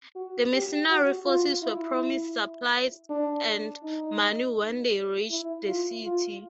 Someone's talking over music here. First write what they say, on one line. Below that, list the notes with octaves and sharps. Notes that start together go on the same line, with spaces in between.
The mercenary forces were promised supplies and money when they reached the city.
F#4
G4
F#4
F4
E4
D4
D#4
E4
F4
F4